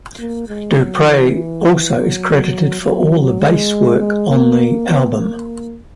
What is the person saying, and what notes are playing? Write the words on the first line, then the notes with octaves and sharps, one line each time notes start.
DuPree also is credited for all of the bass work on the album.
A#3
G#3
F#3
E3
F#3
F#3
G#3
G#3
A#3
B3
A#3